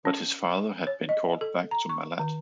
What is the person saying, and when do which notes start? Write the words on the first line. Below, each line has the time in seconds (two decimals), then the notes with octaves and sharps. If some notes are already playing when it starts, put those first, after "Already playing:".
But his father had been called back to Malat.
0.05 C#4
0.87 C#5
1.09 D#5
1.41 A4
1.71 A#5
1.89 C#6
2.19 D#3